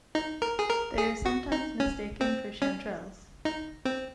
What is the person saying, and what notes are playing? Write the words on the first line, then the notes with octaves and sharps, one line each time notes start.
They are sometimes mistaken for chanterelles.
D#4
A#4
G#4
A#4
G#4
F#4
D#4
C#4
C4
C#4
D#4
C4